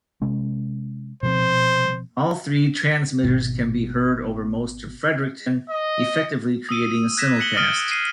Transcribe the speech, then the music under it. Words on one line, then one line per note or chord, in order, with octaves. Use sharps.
All three transmitters can be heard over most of Fredericton, effectively creating a simulcast.
C3 G#3 C#4
B2 F3 C4 C5
G#1 B2
D#5
D#6 E6 D#7
F#6 G#6 A#6 B6 E7
F#6 B6 C#7 F#7 G7
D#6 F6 A6 D7 D#7 G7
C7 D#7